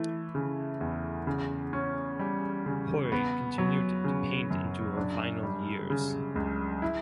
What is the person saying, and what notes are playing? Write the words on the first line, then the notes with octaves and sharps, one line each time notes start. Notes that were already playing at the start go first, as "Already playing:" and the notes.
Hori continued to paint into her final years.
Already playing: E3 A3
C#3
E2
C#3
C#4
G3
C#3
B3
F#3
C#3
F#2
D4
G3
C#3
C#2
E4